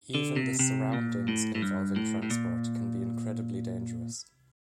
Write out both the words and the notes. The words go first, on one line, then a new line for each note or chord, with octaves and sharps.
Even the surroundings involving transport can be incredibly dangerous.
D3
C3
C3
A#2
A2
A2
G2
A2
A2
A#2